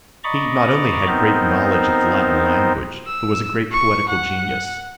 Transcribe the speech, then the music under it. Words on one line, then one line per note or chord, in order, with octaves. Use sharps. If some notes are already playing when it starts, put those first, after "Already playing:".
He not only had great knowledge of the Latin language, but was a great poetical genius.
D5 D#5 A#5 B5 C#6 D6
B3 C4 D#4 A#4 C5
E6
C#6
F#5